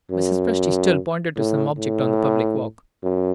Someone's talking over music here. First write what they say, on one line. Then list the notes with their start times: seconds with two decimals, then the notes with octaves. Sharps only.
Mrs. Presty still pointed to some object on the public walk.
0.11 F#2
1.36 A2
1.78 A2
3.03 F#2